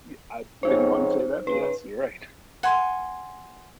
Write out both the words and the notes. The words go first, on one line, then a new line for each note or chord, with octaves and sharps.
y I didn't want to say that, but yes, you're right.
F2 G#2 C#4 D#4 C5
C#3 B4
F#5 G#5 C6